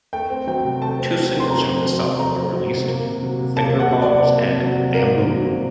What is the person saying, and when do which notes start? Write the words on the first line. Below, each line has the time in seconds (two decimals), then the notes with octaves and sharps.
Two singles from this album were released: "Fingerbobs" and "Bamboo".
0.13 A3 G5
0.30 C4
0.47 F#3 G5
0.64 C3
0.82 A3 A5
0.99 C4
1.16 F#3
1.33 C3
1.40 C6
1.50 A3 A#5
1.68 C4
1.85 F#3
2.02 C3
2.19 A3 A#5
2.36 C4
2.53 F#3
2.71 C3
2.88 A#3
3.05 C3
3.22 F#3
3.40 C3
3.56 A#3 A5
3.74 C3
3.80 F#5
3.91 F#3
4.02 D5
4.08 C3
4.25 A#3
4.43 C3
4.60 F#3
4.77 C3
4.94 A#3 A#4
5.11 C3
5.29 F#3
5.46 C3